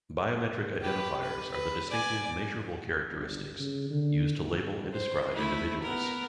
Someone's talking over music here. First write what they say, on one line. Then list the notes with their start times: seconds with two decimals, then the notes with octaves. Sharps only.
Biometric identifiers are the distinctive, measurable characteristics used to label and describe individuals.
0.82 G4 B4
1.22 B4
1.52 B4
1.90 D5 G#5
3.15 G1
3.59 C#3
3.91 D3
4.35 G#1
4.93 C5
5.34 A3 E4
5.82 B3 A#4